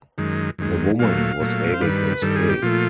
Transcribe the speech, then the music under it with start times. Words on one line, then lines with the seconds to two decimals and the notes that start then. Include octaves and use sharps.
The woman was able to escape.
0.18 F#2 D#3 G#3
0.58 F#2 D#3 G#3
0.99 A#2 F#3 A3 F5
1.40 A#2 F#3 A3
1.74 C5
1.81 G2 D#3 G3 B4
2.22 G2 D#3 G3 A4
2.36 G#4
2.50 G4
2.62 A#2 F3 A3 F4